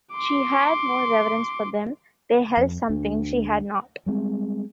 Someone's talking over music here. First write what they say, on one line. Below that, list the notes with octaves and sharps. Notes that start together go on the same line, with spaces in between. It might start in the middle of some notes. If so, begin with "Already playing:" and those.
She had more reverence for them: they held something she had not.
C6 D6
F2
D2 D3
G3 G#3 A#3 C4